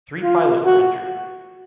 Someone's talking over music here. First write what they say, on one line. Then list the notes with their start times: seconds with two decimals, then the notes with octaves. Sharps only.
Three pilot were injured.
0.22 F4
0.64 F#4